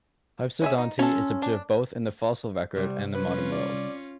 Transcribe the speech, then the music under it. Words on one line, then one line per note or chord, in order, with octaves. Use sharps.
Hypsodonty is observed both in the fossil record and the modern world.
C#4 G#4 E5
D#4
C#4 F4 A4
D4
C2 G3
C#4 F4 B4
D5